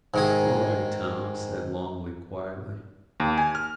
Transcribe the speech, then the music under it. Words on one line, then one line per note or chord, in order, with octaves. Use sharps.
"All right, Tom," said Longley quietly.
G#2 D#3 G#4
D#2
G#5
F6